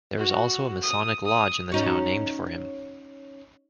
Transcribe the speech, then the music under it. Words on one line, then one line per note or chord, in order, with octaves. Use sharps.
There is also a Masonic lodge in the town named for him.
F#4
D#6
D#6
C#4 D#4 F#4